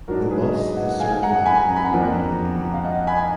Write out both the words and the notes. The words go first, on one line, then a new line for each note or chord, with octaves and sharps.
The bus is certified in the European Union.
G#2 F#3 D4 F#4 A#4
G#4 B4
B4 D#5
D#5 F#5
F5 G#5
F#5 A#5
G#5 B5
A#5
B5
F#5 A#5
F2 F3 A#3 D4
F5
D#5 F#5
G#5 B5